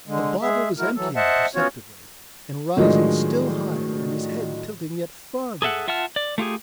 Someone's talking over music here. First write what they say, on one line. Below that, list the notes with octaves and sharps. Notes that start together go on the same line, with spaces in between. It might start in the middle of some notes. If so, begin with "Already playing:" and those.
The bottle was emptying perceptibly and rising still higher and his head tilting yet further back.
D3 G#3
G#3 G#4 E5
G#3 E4 F#4 A#4
E3 F#3 A4
C5 D#5 E5 F#5 A5
B3 C#4 F4 F#4 C#5
A2 D#3 F3 F#3 G#3 D4
G#4 A4 E5 F#5
F4 E5 F#5 A5 F6
D5
A3 F4 G4 G#4